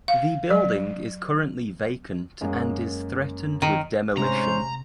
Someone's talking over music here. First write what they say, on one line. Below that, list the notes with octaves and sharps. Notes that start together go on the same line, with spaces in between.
The building is currently vacant and is threatened with demolition.
F5
F#3
F#2 G#3 A#3
D#3
G#2 C3 G#3 C#4 D#4 C5 A#5